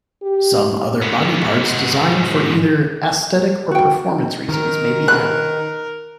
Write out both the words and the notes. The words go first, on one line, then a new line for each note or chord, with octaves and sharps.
Some other body parts, designed for either aesthetic or performance reasons may be added.
G4
G#2 B3
F#4 G5
D#3 A#4
B4 F#6